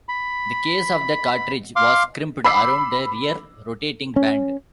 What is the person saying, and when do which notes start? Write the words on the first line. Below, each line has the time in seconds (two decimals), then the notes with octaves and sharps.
The case of the cartridge was crimped around the rear rotating band.
0.09 B5
1.76 F5 C6 D6
2.45 B5 D6 E6 C7
4.16 C#4